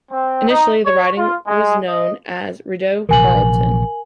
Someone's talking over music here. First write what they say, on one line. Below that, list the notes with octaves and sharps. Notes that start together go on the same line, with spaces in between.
Initially, the riding was known as Rideau-Carleton.
C4
D#4
C#5
F4
G#3
D#5
A#1 C3 E3 A#4 G#5 F#7